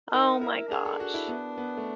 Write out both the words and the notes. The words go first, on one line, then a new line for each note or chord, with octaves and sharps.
Oh my gosh.
D#4 A#4
E4 A#4
D4 G#4
A4
F#4
E4
B3
B3
A3